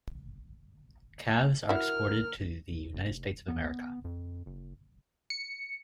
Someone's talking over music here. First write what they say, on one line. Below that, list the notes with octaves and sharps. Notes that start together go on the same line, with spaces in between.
Calves are exported to the United States of America.
E4 F#4 A#4 F6
F1
B3
F2
F#1
C#7